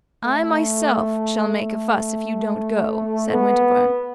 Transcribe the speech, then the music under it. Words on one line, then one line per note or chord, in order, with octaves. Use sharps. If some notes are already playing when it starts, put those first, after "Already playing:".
"I myself shall make a fuss if you don't go," said Winterbourne.
A3
A3
B3